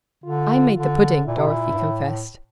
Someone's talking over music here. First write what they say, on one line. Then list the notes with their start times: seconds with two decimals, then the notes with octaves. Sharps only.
"I made the pudding," Dorothy confessed.
0.24 D3 F4
0.75 D3
1.26 A#2 E4
1.38 C3
1.47 A#2
1.72 G2
1.78 A2